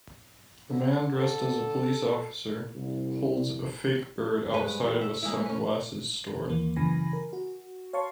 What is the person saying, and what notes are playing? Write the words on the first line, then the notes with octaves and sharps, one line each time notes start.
A man dressed as a police officer holds a fake bird outside of a sunglasses store.
D3
A4
C2
G2 G#3 B4
E2 G3 E4
E5
G#3 A#3 E4
C#4 B4
D#2 E3 A#3
F#2 C#3 E3 G#5 B5 A#6
A#4
F#4
C#5 F5 A5 C6 C#6